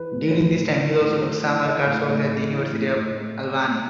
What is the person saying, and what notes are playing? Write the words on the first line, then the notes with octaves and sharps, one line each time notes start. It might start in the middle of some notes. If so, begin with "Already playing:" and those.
During this time he also took summer coursework at the University at Albany.
Already playing: E3 B4
A2
C5
A2 B4
E3
E3
A2
A2 C5
E3
E3 D#5
A2
A2
E3
E3
A2
A2